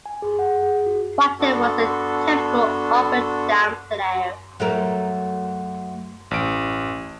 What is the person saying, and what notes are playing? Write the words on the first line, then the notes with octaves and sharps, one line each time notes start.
Whiten was a typical up-and-down player.
G#5
G#4
F#5
G#4
F#4
B3 D4 F#4 A4
F#3 A3 A#4
A1 D7